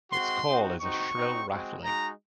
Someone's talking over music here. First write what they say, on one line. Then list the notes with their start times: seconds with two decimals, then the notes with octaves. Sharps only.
Its call is a shrill rattling.
0.12 G#3 C4 F#4 C6
0.46 C4 D#4 F#4
0.81 C4 D#4 F#4 C#6
1.15 C4 D#4 F#4
1.49 G#3 C4 F#4
1.83 G#3 D#4 F#4 A#5